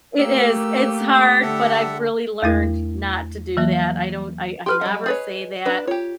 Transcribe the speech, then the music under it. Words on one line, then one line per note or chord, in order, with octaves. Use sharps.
it is, it's hard, but I've really learned not to do that, I don't I I never say that,
A3 A#3 G4 E6
D3 A4 E5 F#5
E2 A3 E4 A#4
E3 F#3 A#3
G4 A4 B4 C6 F6
F#3 G3 D#5
G#4 B4 C#5
D4 B4
F4 G4 C#5